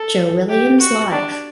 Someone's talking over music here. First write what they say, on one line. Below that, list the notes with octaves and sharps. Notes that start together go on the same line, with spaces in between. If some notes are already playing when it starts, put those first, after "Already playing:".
Joe Williams Live!
Already playing: A4
G4
F#4
D4